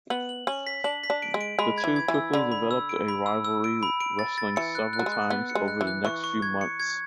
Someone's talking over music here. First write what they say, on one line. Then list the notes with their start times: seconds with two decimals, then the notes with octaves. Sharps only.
The two quickly developed a rivalry, wrestling several times over the next few months.
0.10 B3 F#7
0.29 F#7
0.47 C#4 F#7
0.67 B6
0.84 D4 F#7
1.04 B6
1.10 D4
1.22 D7
1.34 G#3
1.41 D7
1.59 G#3 B5
1.78 G#6
1.84 E3
1.96 G#6
2.08 E3
2.14 E6
2.33 D3 B5
2.52 B5
2.71 E6
2.89 D7
3.08 B5
3.26 E6
3.45 E6
3.64 D7
3.83 B5
4.01 D7
4.19 A6
4.38 A6
4.56 E3 C#7
4.75 F#6
4.93 F#6
4.99 F#3
5.06 G#3
5.12 F#6
5.30 B3 F#6
5.50 C#7
5.55 G#3
5.68 F#6
5.81 E3
5.87 F#6
6.05 E3 C#6
6.24 C#6
6.42 G#6
6.61 C#7
6.80 G#6